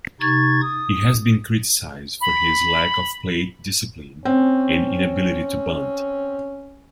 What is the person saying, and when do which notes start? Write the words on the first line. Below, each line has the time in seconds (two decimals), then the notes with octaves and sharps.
He has been criticized for his lack of plate discipline and inability to bunt.
0.21 C3 D#4 C#6 G#6 A6
0.61 D#6
2.21 B5
4.25 C4 C#4